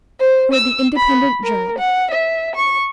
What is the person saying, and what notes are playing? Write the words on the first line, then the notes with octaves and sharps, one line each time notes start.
For the Independent Journal.
C5
E6
B5
A#4
F#5
E5
C#6